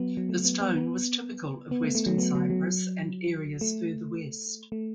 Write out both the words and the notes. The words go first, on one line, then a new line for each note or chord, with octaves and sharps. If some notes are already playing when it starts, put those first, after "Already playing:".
The stone was typical of western Cyprus and areas further west.
Already playing: F#3 B3
F#3
A3
B3
B3
B3
B3
A3
A3
F#3
B3
F#3
F#3
A3
A3